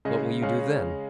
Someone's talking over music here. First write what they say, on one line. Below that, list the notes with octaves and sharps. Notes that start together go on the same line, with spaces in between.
"What will you do then?"
C#3 G#3 C#4 D#5
C#3 G#3 C#4 F5